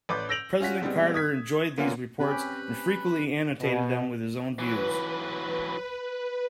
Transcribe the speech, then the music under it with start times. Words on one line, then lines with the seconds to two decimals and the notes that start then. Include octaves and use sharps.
President Carter enjoyed these reports and frequently annotated them with his own views.
0.09 A1 B4 D5 D6 G6
0.29 E6 G6 A#6 D7 F7 F#7
0.60 C#4 F4 F#4 B6
0.82 B2 G3 G#3 B3 C4
1.14 D#6 G#6 B6
1.78 D3 A#3 B3 C#4 F4
2.20 C4 C#4 G4 B4 B5
3.61 B2
4.59 E3 F#3 B4